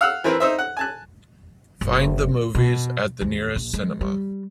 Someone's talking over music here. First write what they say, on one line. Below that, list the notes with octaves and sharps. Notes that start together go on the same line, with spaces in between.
Find the movies at the nearest cinema.
F5 F#5 E6
E3 C4 A#4 B4
D#4 C5 E5
F#5
G#5 A5 F#6
F#1
B2
D#2
A#1
G#3
G3